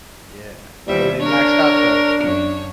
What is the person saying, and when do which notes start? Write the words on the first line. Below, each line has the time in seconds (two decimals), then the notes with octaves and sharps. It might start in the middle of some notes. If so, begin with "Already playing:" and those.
Yeah, and they maxed out, though.
0.87 D#2 E3 F3 G3 E5
1.21 D4 A#4 C#5
2.23 F#2 C#5